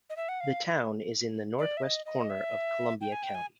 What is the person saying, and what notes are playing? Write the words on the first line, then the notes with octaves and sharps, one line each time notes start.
The town is in the northwest corner of Columbia County.
D#5
E5
F#5
F5
D5
E5
D#5
D#5
E5
G5
G#5
G5
G#5